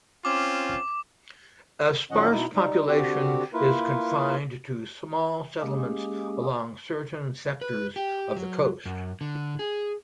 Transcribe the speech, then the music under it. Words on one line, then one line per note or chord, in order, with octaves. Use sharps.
A sparse population is confined to small settlements along certain sectors of the coast.
C4 C#4 F4 D6
A#2 D#3 F#3 C#4 D#5 F#5
B2 D#4 E4
G3 D#4
D3 C4 F#4 G4
A#3 E4 F4 A#4 B4
G#3 A#3 C#4 G4 G#4
B4
G4
F#3
F#2
D3
G#4